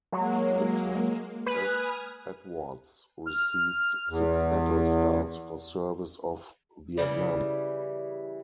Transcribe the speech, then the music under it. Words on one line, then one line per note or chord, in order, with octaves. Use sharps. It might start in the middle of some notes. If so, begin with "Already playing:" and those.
Richard S. Edwards received six battle stars for service off Vietnam.
F#3 G#3 A#3
B4 G#5 D#6 F6
F6
E2
C#3 E3 G3